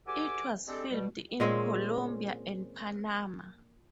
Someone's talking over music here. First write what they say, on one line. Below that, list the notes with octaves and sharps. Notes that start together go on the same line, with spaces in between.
It was filmed in Colombia and Panama.
E2 F#4 G4 A4 G#5 D6
G3 G#3 C4 D4 G4 A4
B2 G3
A#2 G#3 C4 C#4